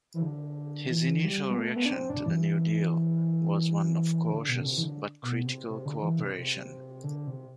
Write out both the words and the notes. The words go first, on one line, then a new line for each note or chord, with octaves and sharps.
His initial reaction to the New Deal was one of cautious but critical cooperation.
E3
D3
E3
G3
B3
A3
B3
D4
C4
D4
E3
E3
D3
B2
D3
C3
E3
D3
B2
C3
C3
D3
E3
C3
C3
D3
C3